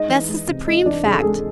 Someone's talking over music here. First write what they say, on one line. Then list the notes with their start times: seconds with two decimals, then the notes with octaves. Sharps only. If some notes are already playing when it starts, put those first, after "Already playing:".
That's the supreme fact.
Already playing: G#3 D#4 D#5
0.09 E3
0.29 G#3
0.48 C3
0.67 G#3 D#4 D#5
0.86 E3 D4 D5
1.05 C3 G#4
1.13 A4
1.22 G#3 G#4